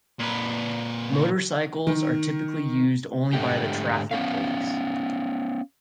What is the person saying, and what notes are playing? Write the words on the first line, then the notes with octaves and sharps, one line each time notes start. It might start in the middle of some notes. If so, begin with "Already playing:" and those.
Motorcycles are typically used only by the traffic police.
A#2 B4
D#3
G#2 D3 A3 G4
B3 C#4 F5